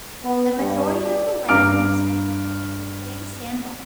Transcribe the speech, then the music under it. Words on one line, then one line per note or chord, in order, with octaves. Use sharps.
The majority of the land in this neighborhood is reclaimed sandbar.
B3
G2
D5
G2 F5 A#5 D6 F6 D7